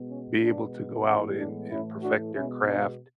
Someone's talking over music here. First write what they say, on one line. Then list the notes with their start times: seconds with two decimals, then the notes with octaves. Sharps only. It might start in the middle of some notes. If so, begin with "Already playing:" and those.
be able to go out, and and perfect their craft,
Already playing: B2 G#3 B3
0.09 C#4
0.42 B2 G#3 B3 D4
1.06 A2 E3 G#3 B3 C#4
1.38 D4
1.70 A2 E3 A3 C#4 E4
2.02 D4 F#4
2.34 B2 G#3 B3 C#4 E4
2.67 D4